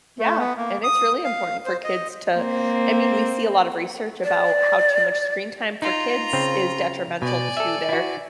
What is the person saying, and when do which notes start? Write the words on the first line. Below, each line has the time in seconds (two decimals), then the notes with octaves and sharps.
Yeah, and it's really important for kids to I mean, we see a lot of research about how too much screen time for kids is detrimental to their
0.19 A3
0.39 B3
0.57 A#3
0.83 D#6
1.24 F5
1.66 C5
1.84 D#5
2.32 A#3 C4
4.24 D5
5.82 D#4 F4 A#5
6.33 C#3 C4
7.22 B2 D5 G#5
7.57 A4 E5
7.89 E4 F#4